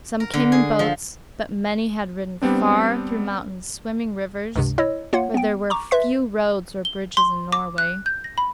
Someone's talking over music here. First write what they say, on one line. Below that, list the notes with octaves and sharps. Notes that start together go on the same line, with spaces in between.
Some came in boats. But many had ridden far through mountains, swimming rivers; for there were few roads or bridges in Norway.
A#4
D3
G#4
F3
G3 B3 C4 D4
C#2 G2 C3
E4 C#5 D#5 E6
A#3 F4 C#5 F#5
B3 G5
A#5 C#6 D6
B4 E5 C6 B6
G7
C6
D6
F#6
G6
A#6
B5